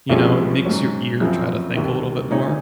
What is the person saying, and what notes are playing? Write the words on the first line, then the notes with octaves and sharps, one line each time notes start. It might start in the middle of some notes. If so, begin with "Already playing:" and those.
you know? It makes your ear try to think a little bit more.
C2 C3 F3 G#3 C#4
G#2 F#3 C#4
F#2 C#3 F3 C4
C2 C3 D#3
A#2 G#3 D#4 G#4 C#5